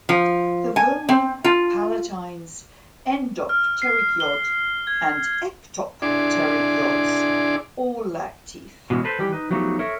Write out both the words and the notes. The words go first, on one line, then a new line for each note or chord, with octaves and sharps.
The vomer, palatines, endopterygiod, and ectopterygiods all lack teeth.
F3
G#5
C4
F4
F6
C7
G7
G#6
D4 E4 G#4 D5 C6 D6
B2 E3 G#3 A#3 C#4
A4 B4 C5
D#3 E3 G3 G4
D#4 B4
F3 F#3 A3 B3 D#4 G4
A4 A#4 C#5 E5